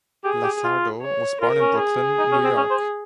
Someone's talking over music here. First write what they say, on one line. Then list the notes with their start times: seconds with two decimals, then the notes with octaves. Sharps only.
LaSardo was born in Brooklyn, New York.
0.24 G4 G#4
0.43 G4
0.64 F4
1.02 C#5
1.41 F4 A#4
1.60 C#4
1.79 G#4
2.18 D#4
2.32 C#4
2.44 C4
2.57 C#4
2.71 C5